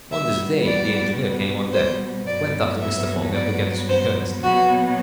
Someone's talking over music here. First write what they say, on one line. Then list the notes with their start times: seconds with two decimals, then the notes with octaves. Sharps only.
On this day the engineer came on deck, went up to Mr. Fogg, and began to speak earnestly with him.
0.11 B2 G3 B3 E5
0.65 D5
1.72 C5
2.27 G2 F#3 B3 D5
2.80 E5
3.34 D5
3.88 C5
4.42 B2 F#3 B3 F#4